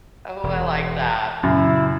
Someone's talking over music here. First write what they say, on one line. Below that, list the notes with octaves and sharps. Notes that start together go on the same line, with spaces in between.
Oh, I like that.
E1
F#2 A#2 C#3 C#4 E4